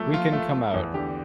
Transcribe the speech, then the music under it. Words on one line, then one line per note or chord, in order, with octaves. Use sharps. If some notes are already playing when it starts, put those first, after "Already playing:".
We can come out.
Already playing: F3 A3 A#3
F3 F4
A3
A3
E2
D3 G4